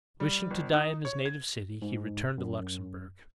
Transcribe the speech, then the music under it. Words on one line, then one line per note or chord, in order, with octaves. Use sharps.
Wishing to die in his native city, he returned to Luxemberg.
G3
G1
D#4
C#5
G#6
G#2
F#2